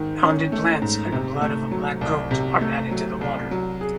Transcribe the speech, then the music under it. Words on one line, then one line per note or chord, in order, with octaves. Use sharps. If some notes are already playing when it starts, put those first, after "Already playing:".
Pounded plants and the blood of a black goat are added to the water.
Already playing: G#2 D#3
C#4
A3
G#2
C3
A3
F#3
C2
C3
A3
F#3
C2
F#3
G#4